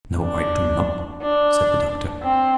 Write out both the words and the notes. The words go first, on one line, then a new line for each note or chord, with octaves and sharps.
"No, I do not," said the Doctor.
D4
D4
C4